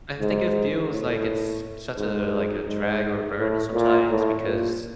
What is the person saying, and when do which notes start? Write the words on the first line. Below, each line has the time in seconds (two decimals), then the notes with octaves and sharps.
I think it feels like it's such a, like, a drag or a burden sometimes, because,
0.20 G#2
0.91 A2
1.97 G#2
2.67 G#2
3.38 A2
3.73 A#2
4.09 A2
4.45 A#2